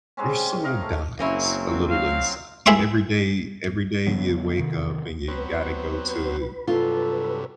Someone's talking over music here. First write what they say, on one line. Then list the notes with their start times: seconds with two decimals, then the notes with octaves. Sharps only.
your soul dies a little inside every day every day you wake up and you gotta go to
0.17 G3 G#3 C4 C#4
0.49 C#4
0.64 D#4 A#4 F5
0.82 A3
1.19 F#1 F#3 A#3 C4 C#4 E4
1.90 F5
2.66 E4 G#4 E5 C6 C#6
4.07 C#3 F3 F#3 B3
4.59 C3 D#3
5.28 F#3 B3 C4 B4
6.67 G2 C3 F#3 F4 A4